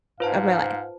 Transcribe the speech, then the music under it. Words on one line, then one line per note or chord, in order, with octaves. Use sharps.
of my life."
G#2 F4 B4 C5 F5 A5